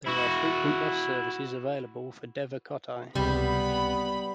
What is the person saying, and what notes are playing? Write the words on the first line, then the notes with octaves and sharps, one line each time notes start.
There are frequent bus services are available for Devakottai.
E4 F#4
C#2 C3 G3 B3 B5